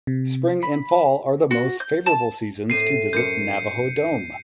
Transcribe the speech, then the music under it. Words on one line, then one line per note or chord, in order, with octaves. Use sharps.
Spring and fall are the most favorable seasons to visit Navajo Dome.
C3
B5
F#4
G6
A5
A2 C4 C7 D#7
F#2 C5 G6 C#7